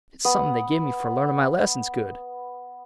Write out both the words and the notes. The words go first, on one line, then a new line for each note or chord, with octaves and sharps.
"It's something they give me for learning my lessons good."
B3 F#5 D#6